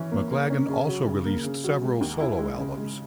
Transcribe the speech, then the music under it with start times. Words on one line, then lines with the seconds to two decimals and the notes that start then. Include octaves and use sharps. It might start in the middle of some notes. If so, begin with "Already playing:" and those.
McLagan also released several solo albums.
Already playing: E3 C#4
0.12 A#3
0.31 A#3
0.50 C#4
0.68 C#3
0.88 F#3
1.07 C#3
1.26 A#3
1.44 C#3
1.64 F#3
1.82 G#3
2.01 D#2
2.20 E4
2.39 G#3
2.58 C#3
2.77 G#3